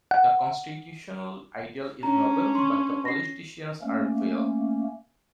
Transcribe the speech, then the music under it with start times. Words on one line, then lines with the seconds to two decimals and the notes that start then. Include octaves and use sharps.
The constitutional ideal is noble; but the politicians are vile.
0.11 F#5
2.03 C#4 D4 A#5
2.55 C6 C#6
3.05 A#6 C7
3.82 A3 A#3 C#4